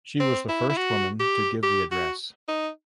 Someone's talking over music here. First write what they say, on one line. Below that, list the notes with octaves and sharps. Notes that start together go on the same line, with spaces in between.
She was the first woman to give the address.
C4
E4
E4
F#4
G4
G4
F#4
D#4